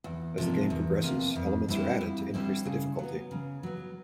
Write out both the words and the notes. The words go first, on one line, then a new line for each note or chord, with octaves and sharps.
As the game progresses, elements are added to increase the difficulty.
E2
C3 F3 A#3
E2
C3 F3 A#3
F2
D3 G3 C4 E4
F2
D3 G3 C4 E4
C#3
F#3 B3
C#3
F#3 B3